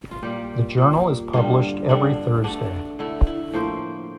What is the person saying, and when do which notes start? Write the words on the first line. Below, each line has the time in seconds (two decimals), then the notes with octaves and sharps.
The journal is published every Thursday.
0.11 F4
0.23 A#2 G3 A#3 G4
0.78 A#2 G3 A#3
1.33 G2 D3 G3 F4
1.89 G2 D3 G3 D4
2.44 D3 A3 D4
2.99 D3 A3 E4
3.27 E4
3.53 A2 F3 A#3 C5